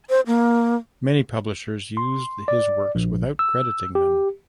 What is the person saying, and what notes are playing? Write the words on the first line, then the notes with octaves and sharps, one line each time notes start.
Many publishers used his works without crediting them.
C5
A#3
C6
D5
A#1
E6
G4